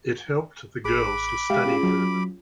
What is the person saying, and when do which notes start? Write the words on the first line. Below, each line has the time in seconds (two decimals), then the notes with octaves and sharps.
It helped the girls to study further.
0.85 A1 G#4 B5 D6 F#6
1.50 G#3 G4 E5 F5 B6
1.66 C#4 F4 G#4
1.83 F#3